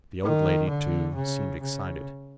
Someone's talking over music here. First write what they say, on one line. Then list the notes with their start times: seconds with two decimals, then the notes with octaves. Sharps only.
The old lady, too, seemed excited.
0.24 D#3
0.69 D3
1.16 C#3
1.62 C#3